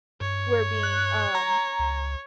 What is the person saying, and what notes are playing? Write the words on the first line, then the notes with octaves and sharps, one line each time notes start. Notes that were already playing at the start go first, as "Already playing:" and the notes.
we're being, um,
G2 C#5
F#6
A#5
C#2